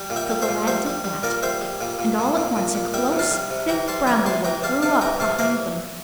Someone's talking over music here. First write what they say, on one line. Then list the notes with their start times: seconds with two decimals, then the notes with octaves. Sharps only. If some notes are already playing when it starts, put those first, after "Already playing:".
So the lad did that, and all at once a close, thick bramblewood grew up behind them.
Already playing: G3
0.10 A#2
0.16 E5 G5
0.30 G3
0.42 C5 E5
0.48 A#2
0.67 G3 C5 E5
0.86 G3
1.04 G3
1.23 A#2 A#4 D5
1.43 G3 C5 E5
1.61 G3
1.81 A#2
1.99 A#2
2.18 A#2
2.37 A#2
2.56 A#2
2.75 A#2
2.94 G3 E5 G5
3.12 C3
3.19 F5 A5
3.31 G3
3.50 C3
3.69 E3 G5 A#5
3.88 G3 A5 C6
4.07 E3 G5 A#5
4.26 C3 A5 C6
4.44 E3 G5 A#5
4.63 G3 F5 A5
4.82 C3 F5 A5
5.01 E3 G5 A#5
5.20 C3 F5 A5
5.39 E3 D5 F5